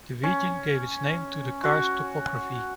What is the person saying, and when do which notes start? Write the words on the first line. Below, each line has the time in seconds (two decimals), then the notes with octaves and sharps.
The region gave its name to the karst topography.
0.24 C#4
1.64 F#4